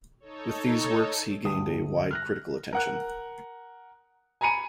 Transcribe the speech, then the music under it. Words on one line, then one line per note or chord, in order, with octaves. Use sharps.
With these works he gained a wide critical attention.
D#4 A4 C#5
D2 G2 D#6
F6 F#6 A#6
A#4 F#5 F#6
G#5 A#5 B5 C#7 D#7